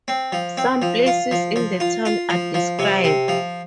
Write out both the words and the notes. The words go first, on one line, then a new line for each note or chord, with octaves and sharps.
Some places in the town are described.
C4
F3
C4
F3
F4
F3
F3
F4
F4
F3
F3
C3
C3
F3